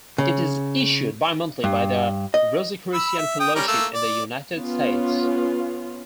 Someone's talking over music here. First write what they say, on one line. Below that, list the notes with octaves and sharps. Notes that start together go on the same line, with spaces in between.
It is issued bimonthly by The Rosicrucian Fellowship in the United States.
C#3
G2
D#5
B5 E6
E5
G5 D#6
G3 C#4 A#4
A3 A#3 E6
D5
B3 C#4 F4